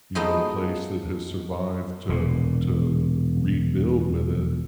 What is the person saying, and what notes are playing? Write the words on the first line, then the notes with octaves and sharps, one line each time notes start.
you know, place that has survived to to rebuild with it.
F3 G#3 A3 B3 D#4 F#4
E1 A#2